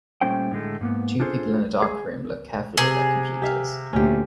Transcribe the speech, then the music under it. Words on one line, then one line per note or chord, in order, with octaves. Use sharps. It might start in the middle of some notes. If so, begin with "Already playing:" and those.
Two people in a dark room look carefully at their computers.
A#2 G3 A3 C#4 C5 G5
A2 D3 G#3 A3
G#2 A#3 B3
D4 F4 G#4 A4 C5
G#4
C3 G#4
G4 E5 F5
D2 A#2 C#4 G4